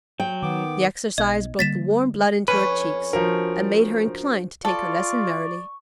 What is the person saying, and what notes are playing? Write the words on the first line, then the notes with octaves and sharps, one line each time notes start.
The exercise brought the warm blood into her cheeks, and made her inclined to take her lesson merrily.
F#3 G5
D#3 B3 D6
B1 D#5
D3 G3 A#3 A6 B6 E7
F2 C#4 B4
F3 D4 F#4 A#4 C5
F4 A4 D5 C#6